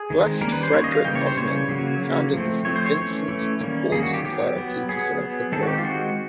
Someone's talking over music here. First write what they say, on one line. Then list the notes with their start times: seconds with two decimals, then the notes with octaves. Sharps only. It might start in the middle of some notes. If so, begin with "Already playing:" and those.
Blessed Frederic Ozanam founded the St. Vincent de Paul Society to serve the poor.
Already playing: G#4
0.10 D#3 G#3 C4
0.41 D#3 G3 A#3 C#4 A#4
0.52 B4
0.63 C5
0.73 D#3 G3 A#3 C#4 C#5
0.84 D#5
0.95 F5
1.05 C#3 E3 G3 A#3 G5
1.15 C#5
1.27 C5
1.37 C#3 E3 G3 A#3 C#5
1.69 C#3 F#3 A#3
2.01 C#3 F#3 A#3
2.34 F3 A3 C4
2.65 F3 A3 C4 C#5
2.76 C5
2.86 C#5
2.96 E3 A3 C#4
3.28 E3 A3 C#4
3.61 D#3 G3 A#3 C#4
3.92 D#3 G3 A#3 C#4 G#4
4.03 F#4
4.14 G4
4.24 F#3 B3 G4
4.56 F#3 B3
4.88 F#3 B3 G#4
5.20 F#3 B3
5.52 D#3 G#3 C4 A4
5.63 F#4
5.67 G4
5.78 F4
5.83 D#3 G#3 C4 F#4